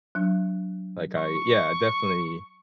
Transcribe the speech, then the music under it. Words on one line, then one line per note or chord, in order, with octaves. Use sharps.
like, I Yeah, I definitely,
F#3 D4
C#6